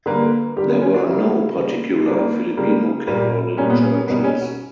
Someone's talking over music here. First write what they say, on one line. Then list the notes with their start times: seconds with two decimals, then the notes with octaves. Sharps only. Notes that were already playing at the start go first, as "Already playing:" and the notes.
There were no particular Filipino Catholic churches.
0.06 D3 G3 A#3 B4
0.56 D3 G3 A#3 G4
0.69 B3
0.81 C#4
0.94 D4
1.06 C#3 G3 A#3 E4
1.56 C#3 G3 A#3
2.06 C#3 G3 A#3 D4
2.57 C#3 G3 A#3
3.07 A#2 G3 A#3
3.57 A#2 G3 A#3 C#4
3.70 B3
3.83 C#4
3.95 C#4
4.07 A#3 B3
4.10 B2 G3
4.24 C#4
4.41 F#4